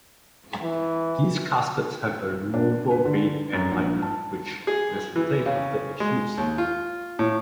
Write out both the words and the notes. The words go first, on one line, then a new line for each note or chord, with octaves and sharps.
These caskets have a removable bed and liner which is replaced after each use.
E3
D4
B4
D3
F#2
A#1
A5
G#4
E3
C#3
G#3
D#2
F4
A2